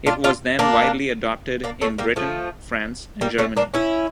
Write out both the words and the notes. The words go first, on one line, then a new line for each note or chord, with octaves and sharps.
It was then widely adopted in Britain, France and Germany.
D4 F4
D4 F4
A#3 D4
A#3 D4
A3 C#4
G3 A#3
F3 A3
G3 A#3
A3 C#4
A#3 D4
C#4 E4